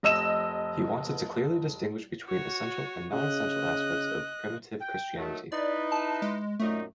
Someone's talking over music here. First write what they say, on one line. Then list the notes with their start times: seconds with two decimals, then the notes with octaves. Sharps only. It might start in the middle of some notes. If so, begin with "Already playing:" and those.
He wanted to clearly distinguish between essential and non-essential aspects of primitive Christianity.
0.03 F1 D#5 E6 E7
2.27 F#4 C#5
3.13 C#3 D#5 F#6
4.80 G5
5.17 D#3 F#3 A3
5.52 D#4 E4 B4 D5
5.92 A5
6.22 G#3
6.60 F#2 A#2 A3 D#4